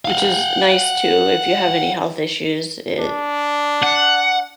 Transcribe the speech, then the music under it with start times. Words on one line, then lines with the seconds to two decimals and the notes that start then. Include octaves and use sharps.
Which is nice, too, if you have any health issues. It
0.05 F5 F#5
2.99 D4
3.83 F#5